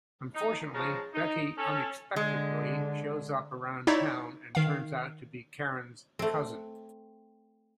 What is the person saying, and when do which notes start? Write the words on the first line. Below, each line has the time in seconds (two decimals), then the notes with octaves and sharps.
Unfortunately, Becky unexpectedly shows up around town and turns out to be Karen's cousin.
0.34 D#4
0.74 C#3 F3 G#3 C#4 A5 A#5
1.14 D#4
1.57 C#4 A4
2.16 D3 G#3
3.87 D#4 E4 C#5 D5 E5
4.55 D#3 F5
6.19 A3 C4